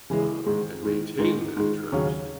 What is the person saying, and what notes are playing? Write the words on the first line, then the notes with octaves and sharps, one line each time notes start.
um, and maintain that trust,
C#3 E3 G#3
G#2 D#3 G#3
G#2 D#3 G#3
G#2 D#3 G#3
G#2 D#3 G#3
D#2 C#3 F#3 C#4